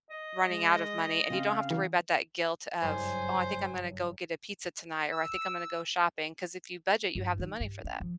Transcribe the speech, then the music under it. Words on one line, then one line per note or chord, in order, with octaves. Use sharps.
running out of money, and you don't have to worry about that guilt of, "Oh, I think I'm gonna go get a pizza tonight," or, "I think I'm gonna go shopping," 'cause if you budget, you have the money for that.
D#5
G#3
C#3 C4 F5
E3
F#1 G2 C5 G#5
E6
G1
D#3
G2
C#4
F3